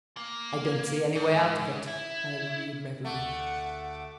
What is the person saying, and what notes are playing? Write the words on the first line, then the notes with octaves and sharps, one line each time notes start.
"I don't see any way out of it," I agreed readily.
A#3
G#2
E4
D2 A3 E5 F#5 D6